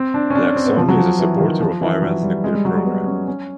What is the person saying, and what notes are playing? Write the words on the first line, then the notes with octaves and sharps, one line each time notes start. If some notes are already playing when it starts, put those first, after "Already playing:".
Laksono is a supporter of Iran's nuclear program.
Already playing: C4
D4
C#4
D4
C#4
C4
B3
F3
F#3
F3
E3
D#3
F3
E3
F#3
G3
G#3
G3
F#3
G3
B3
C#4
C#4